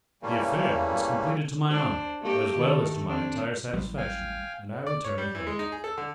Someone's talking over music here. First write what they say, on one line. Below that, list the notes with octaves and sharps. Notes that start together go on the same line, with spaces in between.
The affair was completed to my honour as well as to my entire satisfaction, and I returned home.
C#3 E3 G3 A3 A#3 C#4
D4 C5
A3 A#3 G4
D#3 A3
C4 D4
A1 F#3 G3
F5 G5 G#5
D5
C#5
G3
E3
G#3
D#4
G#4
A4
D3